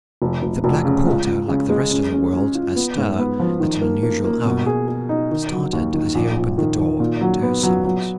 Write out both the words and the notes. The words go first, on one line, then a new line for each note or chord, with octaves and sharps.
The black porter, like the rest of the world, astir at an unusual hour, started as he opened the door to her summons.
F1
F1
F1
C#3
C#2
C#2
C#3
G#3
C#4
C#4
C#4
F4
B3
G#2
B3
F3
D#3
A#3
A#3
A#3
B2
G#4
G#4
D#4
D#3
F#3
D#2
D#3
A#1
A#1
D#3
D#3
A#2
F#3
B3
F#3
F#3